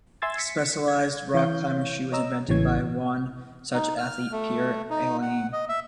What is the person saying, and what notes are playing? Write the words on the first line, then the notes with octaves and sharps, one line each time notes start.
The specialized rock climbing shoe was invented by one such athlete, Pierre Allain.
E5 G#5 C6 E6 G#6 A6
B6 C#7
G#6
E3 C#5 F5 G6
C#5 D#5 A#5 E6
A1 C#3 E3 C#5 G#6
D#4
F6
A3
D#4
F#5
D#5
E5